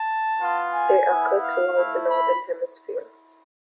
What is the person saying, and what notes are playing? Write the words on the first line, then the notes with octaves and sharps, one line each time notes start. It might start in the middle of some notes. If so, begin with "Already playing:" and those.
They occur throughout the Northern Hemisphere.
Already playing: A5
B3 F4
G#5
B3 E4
F5
A3 E4
B5